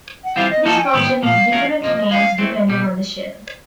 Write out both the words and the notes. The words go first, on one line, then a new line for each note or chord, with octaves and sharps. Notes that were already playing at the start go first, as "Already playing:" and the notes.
This function has different names depending on the shell.
F#5
E3 G3 C4 F4 F5
D#5
F3 A#3 D#4 F#4 A4 A5
G#5
G5
G#2 D#3 F#3 B3
A#2 F3 A#3 F5
F3 A3 C#4 F#4 A#4
F2 C3 F3 A#3 D#5
D#5
F3 G#3 C#4 F5
E3 A3 C4
B1 B2 G3